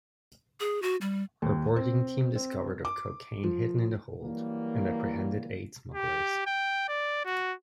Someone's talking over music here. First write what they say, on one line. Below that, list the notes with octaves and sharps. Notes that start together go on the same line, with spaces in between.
Her boarding team discovered of cocaine hidden in the hold, and apprehended eight smugglers.
G#4
F#4
G3
D#2
C4
C4
D6
F3
E3 F#3 G3 A#3
G4
G5
D5
F#4